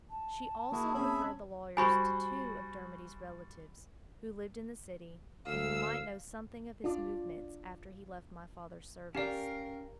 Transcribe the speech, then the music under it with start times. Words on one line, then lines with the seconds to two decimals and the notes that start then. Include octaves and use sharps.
She also referred the lawyers to two of Dermody's relatives, who lived in the city, and who might know something of his movements after he left my father's service.
0.10 A5
0.72 A#3 E4 F#4 G#4
0.95 C4 C#4 G#4 C#5 E5 B5
1.77 G3 F#4 C5 G#5 B5 C#6
5.46 D2 F5 E6
6.84 D4 F4 D5
9.15 C#4 G4 A#4 D5 F5 G5